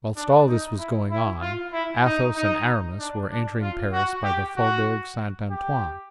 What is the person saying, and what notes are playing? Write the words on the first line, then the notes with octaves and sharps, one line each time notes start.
Whilst all this was going on, Athos and Aramis were entering Paris by the Faubourg St. Antoine.
D4
D#4
E4
E4
F4
E4
D#4
D#4
D4
D4
F4
F#4
G4
F#4
G4